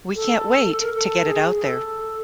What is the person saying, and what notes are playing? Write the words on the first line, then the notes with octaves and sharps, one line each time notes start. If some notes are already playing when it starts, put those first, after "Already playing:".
We can't wait to get it out there.
A4
A4
A#4
A4
G#4
G#4
A4